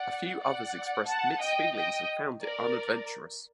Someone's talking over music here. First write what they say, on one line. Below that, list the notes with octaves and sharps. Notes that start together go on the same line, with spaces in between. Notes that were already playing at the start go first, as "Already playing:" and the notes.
A few others expressed mixed feelings and found it unadventurous.
Already playing: D5 F#5
D5 F#5
F#5 A5
D#5 G5
D#5 G5
A#4 D5